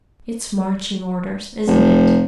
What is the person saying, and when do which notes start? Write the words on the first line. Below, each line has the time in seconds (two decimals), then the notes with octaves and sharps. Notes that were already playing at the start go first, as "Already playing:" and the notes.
"It's marching orders, isn't it?"
1.67 F1